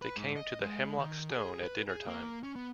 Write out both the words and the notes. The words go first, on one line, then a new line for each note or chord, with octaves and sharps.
They came to the Hemlock Stone at dinner-time.
B4
G#2
D#5
G#3
D#3
G#4
B4
G#4
A#3
C#4
B3